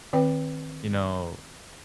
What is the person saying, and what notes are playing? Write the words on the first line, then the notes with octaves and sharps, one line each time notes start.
you know
D#3 C4 B4 G5